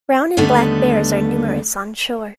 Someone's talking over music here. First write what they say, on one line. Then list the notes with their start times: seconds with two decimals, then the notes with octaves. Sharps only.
Brown and black bears are numerous on shore.
0.37 D#2 D3 G3 A3 B3 D#5